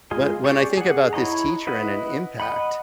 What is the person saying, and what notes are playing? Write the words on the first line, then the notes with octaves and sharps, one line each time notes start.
wh when I think about this teacher and an impact,
G#3 F4 G#4 D#5
C#4 G4 G#4 C#5 D5
G#4 F#5
E4 C#5 D#5 A#5
E4 B4 D#5 F#5
D#5 F#5 B5